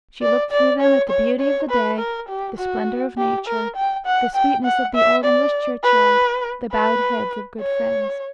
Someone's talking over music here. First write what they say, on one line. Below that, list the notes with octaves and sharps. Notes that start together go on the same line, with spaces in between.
She looked through them at the beauty of the day, the splendour of nature, the sweetness of the old English churchyard, the bowed heads of good friends.
D5
D5
C#5
C#5
C#5
B4
A#4
G4
F#4
G4
A#4
G5
F#5
G5
F#5
E5
D5
B4
B4
C#5